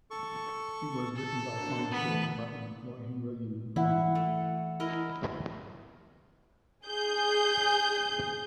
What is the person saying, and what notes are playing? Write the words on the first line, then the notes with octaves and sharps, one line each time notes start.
It was written by former State Department employee William Blum.
A4 C#6
A4
A#3 D4 F#4 C5
D3 E3 A3 B3 B4
E3 E4 E5 F#5
A3
E4 A#4 D#5
G#4 G6